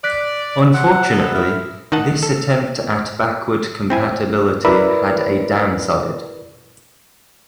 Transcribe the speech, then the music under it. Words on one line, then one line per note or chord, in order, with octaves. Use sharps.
Unfortunately this attempt at backward compatibility had a downside.
D5 F#6 B6
C3 F#5
B3 A4
E4 F6
D#3 D#4 D#5 F#5 A5
A4
C4 E4 G#5
E4 A#4 B4 D5 B5 E6